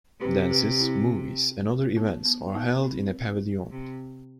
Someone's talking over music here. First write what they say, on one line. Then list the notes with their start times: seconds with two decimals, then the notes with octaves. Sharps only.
Dances, movies, and other events are held in a pavilion.
0.21 C3 G4 B4
0.51 G4 B4
0.80 C4 E4
1.97 B3 D#4
2.25 B3
2.55 B3 D#4
2.84 C4
3.72 C3